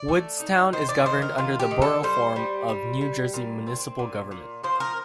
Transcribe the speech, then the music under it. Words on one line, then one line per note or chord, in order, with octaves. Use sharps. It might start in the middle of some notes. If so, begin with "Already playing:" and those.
Woodstown is governed under the Borough form of New Jersey municipal government.
Already playing: D5
A3
D#4
D#3 C5
D5
D#3 C5
A#4
D#3 F4
G4
D#3
A4
G3 C5
G3
G3
G3
A#2
C4
A#2
A#2
F3 C5
A#4